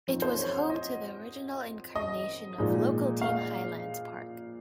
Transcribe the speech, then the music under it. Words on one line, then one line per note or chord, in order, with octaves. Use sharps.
It was home to the original incarnation of local team Highlands Park.
F3 C4 D#4
C5
C#5
F#5
D#5
D#5
A#2 F3 G#3 D#4
F5